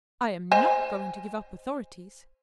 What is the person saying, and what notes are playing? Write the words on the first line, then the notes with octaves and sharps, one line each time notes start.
I am not going to give up authorities.
C5 D#5 G#5